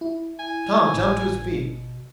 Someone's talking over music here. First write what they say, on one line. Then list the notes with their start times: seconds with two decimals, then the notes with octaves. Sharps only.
Tom jumped to his feet.
0.01 E4
0.39 G#5
0.94 G#1 A2
1.57 B2